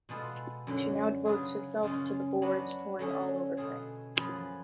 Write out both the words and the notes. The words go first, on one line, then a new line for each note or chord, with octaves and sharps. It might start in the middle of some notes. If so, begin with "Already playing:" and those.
She now devotes her self to the boards, touring all over France.
B2 G#3 B3 F4 A4
F#2 D3 F#3 C#4
C#3 F#3 B3 F4 G#4
F#2 C#3 G#3 C#4 F4
F#3 B3 D4 F#4
D3 F#3 A3 C#4 G#4
B2 A3 F4 G#4
F#2 F3 B3 F4 G#4